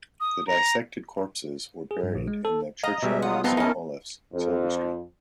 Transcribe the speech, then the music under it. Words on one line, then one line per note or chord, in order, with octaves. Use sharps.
The dissected corpses were buried in the churchyard of St Olave's, Silver Street.
D#6
A#5
G#4
G2
A#1
G#3
A4
D#5 F5 A#5
B2 G3 G#3 E5
F#3 F4 F#5 D#6
B3 C4 D#4 F4 A5
C#4 D#4 E4 G#4 A#4 A5
F2